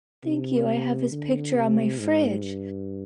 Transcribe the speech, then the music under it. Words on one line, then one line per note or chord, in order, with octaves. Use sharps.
Thank you. I have his picture on my fridge,
C3
D3
C3
G#2
G2